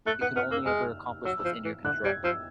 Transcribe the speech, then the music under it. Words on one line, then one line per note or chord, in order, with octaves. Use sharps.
You can only ever accomplish what's in your control.
A3 F#6
B3 F#6
B3 F6
A#3 E6
G#3 F6
F#3 E6
F3 E6
E3
D3 F#6
G3 G#6
F3 E6